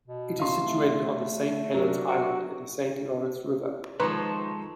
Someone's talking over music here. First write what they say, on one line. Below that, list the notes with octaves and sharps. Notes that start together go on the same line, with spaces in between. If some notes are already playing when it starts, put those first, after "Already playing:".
It is situated on the Saint Helen's Island in the Saint Lawrence River.
B2
C3 F5 C6
A3
F#3 D4 A#4
F#4
D#3 F3 G#3 A4 B4 A#5 C6 C#6